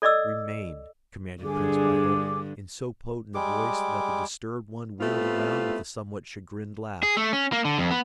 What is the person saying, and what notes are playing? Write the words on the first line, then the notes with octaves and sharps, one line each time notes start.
"Remain!" commanded Prince Michael, in so potent a voice that the disturbed one wheeled around with a somewhat chagrined laugh.
A4 D5 D#5 D6 E6
G2 D3 G#4 D6
G3 G#3 D6
G3 A3 B3 C4 E4 F4
G#4
A3
C#4
A#3
D3
F2
B3